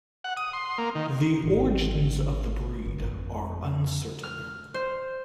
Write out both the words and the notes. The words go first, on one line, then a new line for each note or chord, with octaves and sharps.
The origins of the breed are uncertain.
F#5
D#6
C6
A#3
D#3
G#1
G1
F2
F6
C5